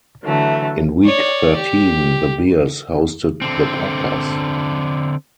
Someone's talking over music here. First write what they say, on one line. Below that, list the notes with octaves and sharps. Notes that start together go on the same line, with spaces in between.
In Week Thirteen, the Bears hosted the Packers.
D3 E3 F#3 A3
C#5 D5
G4
D3 C4